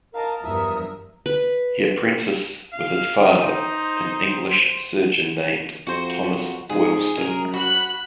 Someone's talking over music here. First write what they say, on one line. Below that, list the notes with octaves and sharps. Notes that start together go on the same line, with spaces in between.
He apprenticed with his father, an English surgeon named Thomas Boylston.
A#4 D#5 F5 A5
E2 G2 F3 A#4 E5 A#5 D#6
B4
F5
D#4 C5
F2 F#4 C5
G#2 G#4
F#2 G#4 A#4
F#4 B5 F#6